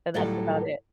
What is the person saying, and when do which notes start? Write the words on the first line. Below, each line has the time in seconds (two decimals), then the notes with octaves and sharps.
and that's about it.
0.14 D2 A2 F#3 G3 F4 A4